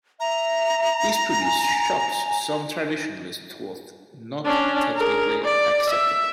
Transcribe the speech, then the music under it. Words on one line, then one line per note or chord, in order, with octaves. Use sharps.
This produced shots some traditionalists thought "not technically acceptable".
E5 A#5
G#5
C#4 D4
G#4 A#4
D5
E5